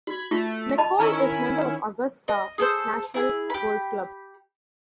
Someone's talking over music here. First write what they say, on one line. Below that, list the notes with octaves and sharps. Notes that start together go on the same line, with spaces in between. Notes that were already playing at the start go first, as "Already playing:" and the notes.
McColl is member of Augusta National Golf Club.
F#4 B5 G#6
A3 F4
D#5 A5 B5
D#3 C#4 E4 A#5 C#6
D#5
G#4 A4 C5
E4 G#4
G4 B5